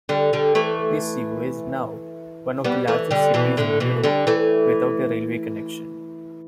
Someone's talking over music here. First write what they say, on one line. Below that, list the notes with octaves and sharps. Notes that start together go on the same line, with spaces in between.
Viseu is now one of the largest cities in Europe without a railway connection.
D3 G3
D3 G3
E3 A3
G3 B3
E3 A3
D3 G3
B2 E3
A2 D3
B2 E3
D3 G3
E3 A3